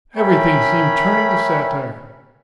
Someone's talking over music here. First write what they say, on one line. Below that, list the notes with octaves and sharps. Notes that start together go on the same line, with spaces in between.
Everything seemed turning to satire.
A#4 C#5 E5 G5 G#5 B5